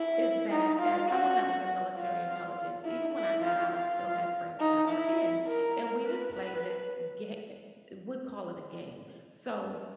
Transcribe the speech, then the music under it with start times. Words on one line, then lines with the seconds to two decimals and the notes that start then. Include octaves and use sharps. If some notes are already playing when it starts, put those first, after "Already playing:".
is that as someone that was in military intelligence, even when I got out, I still have friends that were in, and we would play this ga e eh, we call it a game, so
Already playing: E4
0.51 D#4
0.80 F4
1.08 F#4
1.97 F4
2.85 E4
3.14 E4
3.42 F4
3.72 F4
4.60 D#4
4.88 E4
5.46 A#4
6.05 B4
6.34 B4